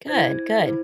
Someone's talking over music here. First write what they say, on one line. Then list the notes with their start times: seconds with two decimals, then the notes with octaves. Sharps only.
Good, good.
0.08 E4 C5 G#6
0.61 E4 C5